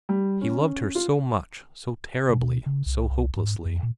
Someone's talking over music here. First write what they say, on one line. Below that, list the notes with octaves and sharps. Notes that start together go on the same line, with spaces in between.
He loved her so much, so terribly, so hopelessly.
G3
C#4
F4
B2
C#3
C2
C2
G#2
F2
A#2